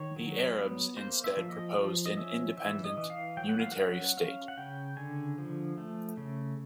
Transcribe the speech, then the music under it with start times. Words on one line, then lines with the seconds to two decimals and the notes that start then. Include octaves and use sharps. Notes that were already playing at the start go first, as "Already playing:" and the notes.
The Arabs instead proposed an independent unitary state.
Already playing: D#3 C#5
0.16 F#3
0.56 B3
0.97 A#3 C5
1.24 E5
1.37 F3
1.50 D#5
1.77 F3
2.06 D#5
2.17 C#4 E5
2.57 E3 E5
2.84 D#5
2.97 E3
3.10 F5
3.37 F#3 G5
3.49 F#5
3.60 F5
3.72 C#4 F#5
4.17 C#4 F5
4.48 F#5
4.57 C#3 G5
4.97 D3 G#5
5.38 F3
5.78 A3
6.17 C#3